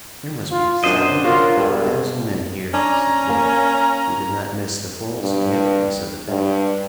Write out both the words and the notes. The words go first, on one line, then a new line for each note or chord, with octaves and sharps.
"There must be seven or eight thousand men here," said Dick, who did not miss the full significance of the fact.
F4
F#2 D4 C5 D#5
F4 F#4 A#4 C#5
E1 G2
C#4 D4 A#5
A#3 A#5
G2
G2